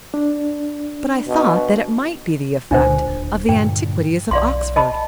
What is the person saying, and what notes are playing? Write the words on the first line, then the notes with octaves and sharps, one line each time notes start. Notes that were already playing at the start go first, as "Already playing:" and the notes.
But I thought that it might be the effect of the antiquities of Oxford.'
D4
B2
C#2 A#2 D3 D4 C5
D#1
G2 A#2 D3 G5
B1 D5 F5 C6
D#5 A5 B5